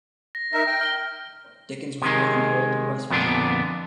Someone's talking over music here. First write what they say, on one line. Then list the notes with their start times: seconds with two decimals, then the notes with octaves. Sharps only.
Dickens was born in Bolt, West Virginia.
0.35 A#6
0.53 D#4 A#4 E5 A#6
0.66 G5
0.81 F6 G7
2.02 C3 D#3 G#3
3.10 F2 A#2 D3 B3 D4